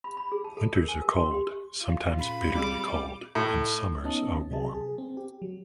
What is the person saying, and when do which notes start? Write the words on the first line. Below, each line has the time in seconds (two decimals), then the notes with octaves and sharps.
Winters are cold, sometimes bitterly cold, and summers are warm.
0.04 B5
0.17 B5
0.32 G#4
0.44 A5
0.57 A4
0.74 A#4
0.89 G#5
1.02 A#4
1.16 C6
1.31 G4
1.81 F4
2.19 A#2 C#4 B5
2.53 G3 C4 G#4 D6
3.35 A2
4.03 B3 C#4 D#4 D#5 A5
4.51 C3 F#3 G#4 A5
4.74 G#4
4.98 C4
5.17 G4
5.42 F#3